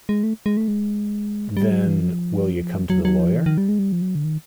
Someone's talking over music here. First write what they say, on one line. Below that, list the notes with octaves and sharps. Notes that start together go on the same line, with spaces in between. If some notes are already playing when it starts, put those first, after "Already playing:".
Then, will you come to the lawyer?
G#3
A3
G#3
A3
G#3
G3
F#3
E3
F3
F#3
F#3
F3
E3
D#3
G3
G#3
G3
F3
F#3
D3
D#3